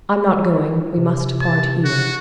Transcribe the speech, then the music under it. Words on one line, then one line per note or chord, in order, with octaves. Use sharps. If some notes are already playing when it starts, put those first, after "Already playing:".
"I'm not going; we must part here."
E4
C3
A5
F#4